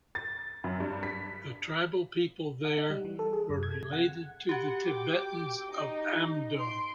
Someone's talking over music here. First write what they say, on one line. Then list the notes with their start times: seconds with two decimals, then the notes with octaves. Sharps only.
The tribal peoples there were related to the Tibetans of Amdo.
0.15 A6
0.64 F#2
0.80 G2
1.03 B6
2.65 F#5
2.78 D#4
2.90 G3
3.05 E3
3.19 A4
3.33 G#4
3.50 F#2
3.63 G#6
3.75 C3
3.93 F#5
4.49 F#4 G4 F#5
4.86 G5 D6
5.72 D#4
6.57 C6 D7